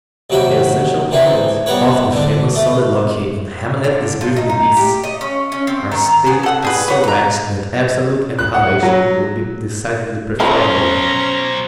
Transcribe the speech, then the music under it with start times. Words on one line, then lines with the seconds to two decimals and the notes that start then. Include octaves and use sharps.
The essential content of the famous soliloquy in "Hamlet" is briefly this: Our state is so wretched that absolute annihilation would be decidedly preferable.
0.30 D#2 C3 F#3 F#4 G5 B5
1.11 D3 E3 C4 D#4 E4
1.66 G3 B3 A#4 B4 C#5
2.12 D3 D4
2.55 A3
3.84 D3
4.21 F3
4.36 D#4
4.50 D#4
4.77 G4
5.04 D#5
5.21 C#4
5.52 C#4
5.67 C4
5.92 D#3
6.26 B3 G#4
6.43 A4 F#5
6.62 G3 G#4 B4
6.88 B4 C#5 F#5
7.04 B4 A#5
8.39 F#6
8.54 F#5
8.83 F#3
10.40 B2 F3 F#3 C#4 C5 F5 A#5 B5